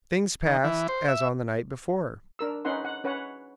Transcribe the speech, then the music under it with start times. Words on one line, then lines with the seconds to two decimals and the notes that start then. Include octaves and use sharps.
Things passed as on the night before.
0.47 D#3
0.64 E3
0.89 C5
1.08 E5
2.39 D4 A#4 E6
2.65 C#4 D#4 B4 F#5 C6
2.85 F#5
3.04 C#4 B4 C#5 F#5